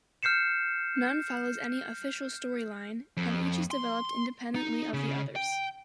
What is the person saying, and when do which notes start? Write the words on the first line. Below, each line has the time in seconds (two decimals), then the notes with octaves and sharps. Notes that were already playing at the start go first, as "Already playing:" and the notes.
None follows any "official storyline," and each is developed independently of the others.
0.23 F6 G6 C7 C#7 E7
3.17 F2
3.71 C6
4.55 D#4
4.94 C#3
5.36 G5